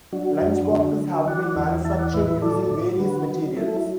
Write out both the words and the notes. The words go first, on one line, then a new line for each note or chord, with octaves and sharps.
Lunch boxes have been manufactured using various materials.
F#3 D4 F#4
F#2
D3
F#3
E3 D5 F#5
E2
E3 E5 A5
D5 F#5
A2 B4 E5
B4 E5
F#3 A4 D5
A2
D3 F#4 B4
F#3
F#3 E4 A4
E4